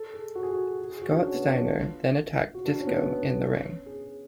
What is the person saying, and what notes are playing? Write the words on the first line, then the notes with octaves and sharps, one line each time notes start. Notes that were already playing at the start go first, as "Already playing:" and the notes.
Scott Steiner then attacked Disco in the ring.
Already playing: A4
G#4
F#4
G#4
F#4
F#4
G#4
F#4
D4
C#4
B3
D4
F4
F#4
D4
C#4
B3
C#4
G#4